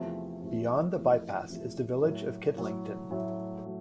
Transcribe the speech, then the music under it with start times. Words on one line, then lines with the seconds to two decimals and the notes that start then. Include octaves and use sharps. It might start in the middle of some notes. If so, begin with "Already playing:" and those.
Beyond the bypass is the village of Kidlington.
Already playing: E2 C3 F3 A3
0.42 E2 C3 F3 A3
0.96 E2 C3 F3 A3
1.50 E2 C3 F3 A3
2.02 A2 F#3 A3
2.56 A2 F#3 A3
3.10 A2 F#3 A3
3.63 F#3 A3